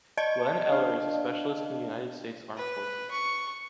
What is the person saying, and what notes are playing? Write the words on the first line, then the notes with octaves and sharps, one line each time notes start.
Glenn Eller is a specialist in the United States Armed Forces.
D5 D#5 A5
D4 F5
B4
C#6